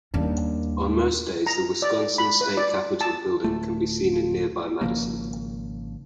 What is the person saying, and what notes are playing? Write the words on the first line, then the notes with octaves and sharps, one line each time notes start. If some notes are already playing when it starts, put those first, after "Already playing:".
On most days the Wisconsin State Capitol building can be seen in nearby Madison.
D#2 G3 A#3 C#4 D4
A#5
D5
B5
B4
D5
A5
D1 A3
G#1 C#3 F3 A#3